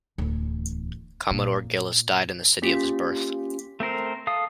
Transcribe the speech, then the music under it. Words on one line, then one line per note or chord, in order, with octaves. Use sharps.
Commodore Gillis died in the city of his birth.
D1 E2
A#2
A#3 C#4 F4 G4 B6
A3 C4 A#4 C5
A4 F5 D#6